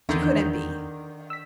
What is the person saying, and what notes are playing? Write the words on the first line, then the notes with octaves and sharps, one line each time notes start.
She couldn't be.
E2 D3 D#3 G6
E6 B6